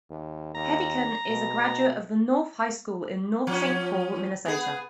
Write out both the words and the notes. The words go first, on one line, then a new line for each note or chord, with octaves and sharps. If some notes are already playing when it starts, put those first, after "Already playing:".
Hedican is a graduate of North High School in North Saint Paul, Minnesota.
D#2
D#2 A#5
B2
F3 C#4
B3 G#4